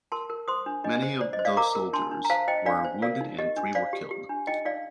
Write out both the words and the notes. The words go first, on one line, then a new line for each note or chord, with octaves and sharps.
Many of those soldiers were wounded and three were killed.
A#4 A5 C6
A#4
C5 C6 D#6
D4
D4 D#5
C5
C5 D5
D#5
C5
D5 F5
A#4 A#5 D6
A#4
D4 A5 C6
D4
A#5
C5 F5 A5
C5 D#5 G5
D4 D5 F5
C5
A#4 D5 F5
D#4
G4 D#5
D4
C5 D5 F5
G4
G4
D4
D#4 D#5 G5
D#4 D5 F5